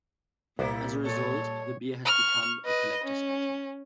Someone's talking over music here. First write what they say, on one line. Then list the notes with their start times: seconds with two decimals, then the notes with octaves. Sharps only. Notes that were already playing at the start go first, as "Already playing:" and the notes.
As a result, the beer has become a collector's item.
0.59 C2 A#2 G3 A#3 B3 E4 C5
1.05 G3 A4 C#5
2.05 C#6 F6
2.65 B4 D#5
3.04 C#4